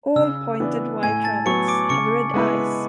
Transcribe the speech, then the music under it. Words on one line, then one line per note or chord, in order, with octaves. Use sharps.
All pointed white rabbits have red eyes.
C#3 E6
E3 B3 D4
A2 G#5 G#6
A5 A6
F#3 B3 C#6 C#7
D6 D7
C#3 C#6 C#7
G#3 B3 E4 B4